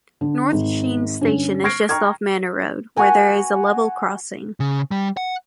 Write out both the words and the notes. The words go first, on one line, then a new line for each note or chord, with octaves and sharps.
North Sheen station is just off Manor Road, where there is a level crossing.
D3
G#1
G2 D3 C#4
C#6 F6 G#6 A#6 C7 D7
G5 A#5 C#6 F6 G#6
F#4 F#5 G#5 A#5
C#3
G3
F#5